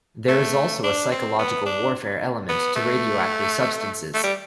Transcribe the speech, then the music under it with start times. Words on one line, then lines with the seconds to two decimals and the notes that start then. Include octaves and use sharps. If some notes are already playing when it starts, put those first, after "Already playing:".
There is also a psychological warfare element to radioactive substances.
0.28 A3
0.84 D4
1.12 C4
1.39 B3
1.66 D4
2.49 B3
2.76 A3
4.14 A3
4.23 G3